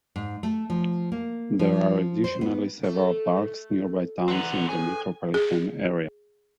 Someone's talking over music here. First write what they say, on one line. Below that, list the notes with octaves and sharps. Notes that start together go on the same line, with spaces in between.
There are additionally several parks nearby towns in the metropolitan area.
G#2
A3
F3
A#3
F3
C5
B3
A3
E2 C4 B4 F#5
A2 G#4 B4 G#5
G#4